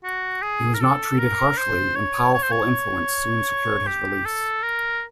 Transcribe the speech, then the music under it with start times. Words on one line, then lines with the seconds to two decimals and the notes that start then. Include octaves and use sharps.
He was not treated harshly, and powerful influence soon secured his release.
0.04 F#4
0.42 G#4
0.74 A#4
0.81 A4
1.19 A#4
1.58 C5
1.95 C#5
2.34 C#5
2.42 C5
2.51 C#5
3.87 G4
4.25 A4
4.63 A#4